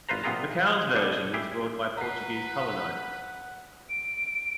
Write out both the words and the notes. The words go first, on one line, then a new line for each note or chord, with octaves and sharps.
Macau's version was brought by Portuguese colonizers.
G#1 F4 B4 C5 A#5
A#1 C3 B3 F4 G#4 A#5
G2 B2 D4 A4
E4 G4 G#4
B4 F#5 A#5 C7
D7